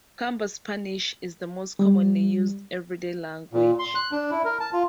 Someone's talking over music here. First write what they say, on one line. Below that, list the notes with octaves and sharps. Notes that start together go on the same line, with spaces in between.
Camba Spanish is the most commonly used everyday language.
G3
A#2
C6
F#6
D4
E4
A#4
A5
F4